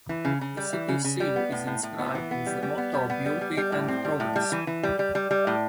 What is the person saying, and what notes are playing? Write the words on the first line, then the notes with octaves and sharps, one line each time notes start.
The city seal is inscribed with the motto "Beauty and Progress".
E3
C#3
C#3
G3
E3
C#3
C#3
G3
B3
A2
A2
A2
B3
E3
B3
G3
G3
B3
G3
B3
G3
G3
G3
A2
C4
G3
A2
G3
E3
E3
G3
G3
G3
G3
A2